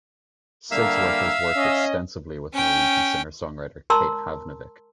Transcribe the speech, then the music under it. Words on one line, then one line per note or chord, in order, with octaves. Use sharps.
Sigsworth has worked extensively with Norwegian singer-songwriter Kate Havnevik.
D3 G3 A#3 E5 F5 E6
C#4 D#5
C#4 G5
A#4 A5 A#5 C6 E6